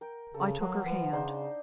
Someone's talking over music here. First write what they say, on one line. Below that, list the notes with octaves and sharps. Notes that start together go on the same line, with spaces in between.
I took her hand.
A#4 G5
C#3 A4
F#3 A#4 F5 F#5
F3 B3
C#3 D4 D#4 C5